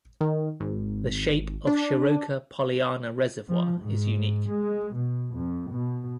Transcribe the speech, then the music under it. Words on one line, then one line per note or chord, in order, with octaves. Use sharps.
The shape of Shiroka Poliana reservoir is unique.
D#3
G#1
D4
F3
G#2
G#3
B2
F2
B2